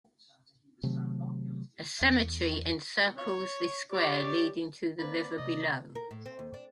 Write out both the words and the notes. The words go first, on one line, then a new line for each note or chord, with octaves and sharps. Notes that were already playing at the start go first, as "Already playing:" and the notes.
A cemetery encircles the square, leading to the river below.
C3 D#3 F#3 A3
E2
C#5
G4 C#5 D5
A#3 C4 B4 D5
C3 A3 D#5
A#4
A2
C4
D#2
D4